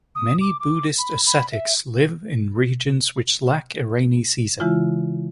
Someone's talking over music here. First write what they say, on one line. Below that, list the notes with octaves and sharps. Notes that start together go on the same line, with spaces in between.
Many Buddhist ascetics live in regions which lack a rainy season.
D#6
D6
D6
B5
B5
E5
C#3 E3 G#3 E4 F4